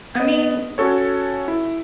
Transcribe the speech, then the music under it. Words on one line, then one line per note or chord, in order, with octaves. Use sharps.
I mean,
B3 D#5
C#4 F#4 A4 C#5
E4